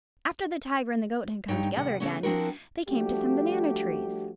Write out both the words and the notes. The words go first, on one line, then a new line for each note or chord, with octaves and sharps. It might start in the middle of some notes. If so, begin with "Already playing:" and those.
After the tiger and the goat had come together again they came to some banana trees.
G2 D#4 C#5 G5
D#2 C3 F#5
C#3 A3 B3 C#4
F3 C4 D4 E4 F#4 A#4
F3 G3 A3 D4 F#4 G4